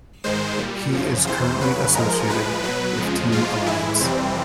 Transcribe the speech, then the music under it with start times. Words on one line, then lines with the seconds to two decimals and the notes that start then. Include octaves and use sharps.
He is currently associated with "Team Alliance".
0.24 G#2 D#3 G#3 C5
0.58 A#2 G3
0.93 F#2 C#3 F3
1.27 E2 C3 E3 C5
1.61 E2 C#3 F#3 B4
1.95 G#2 F3 G#3 A#4
2.29 A2 F3 G#3 B4
2.64 B2 F#3 B4
2.98 F2 C#3 F3 G#3
3.32 G#2 F3 G#3 F4
3.66 A2 E3 G#3 E4
4.00 F2 C3 E3 G3 C4